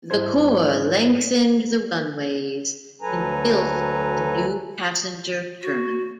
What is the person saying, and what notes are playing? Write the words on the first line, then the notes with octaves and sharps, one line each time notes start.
The Corps lengthened the runways and built a new passenger terminal.
G#2 G3 E4 A4 C5 G#6
D2 F#3 A4 B4 G#5 A#5
F#4